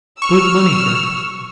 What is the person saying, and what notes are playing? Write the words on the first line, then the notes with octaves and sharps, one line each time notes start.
Good money, Gregg.
C#6 E6 F6